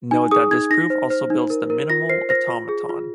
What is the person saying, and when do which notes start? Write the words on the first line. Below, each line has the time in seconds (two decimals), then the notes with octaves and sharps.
Note that this proof also builds the minimal automaton.
0.11 D#4 G#5
0.31 G#4 D#6
0.51 D#4 G#6
0.70 D#4 A#6
0.90 C5
1.10 C5
1.30 D#4
1.50 A#4
1.70 A#4
1.90 F4 A#6
2.09 C5 C7
2.29 C5 A#6
2.49 F4
2.69 G#4
2.89 F4